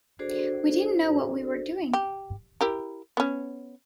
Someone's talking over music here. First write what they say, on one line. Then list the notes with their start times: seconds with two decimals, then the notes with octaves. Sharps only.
We didn't know what we were doing.
0.19 D4 F#4 G#4 A4 C5 D5
1.93 G4
2.61 E4 G4 A#4
3.17 B3 C#4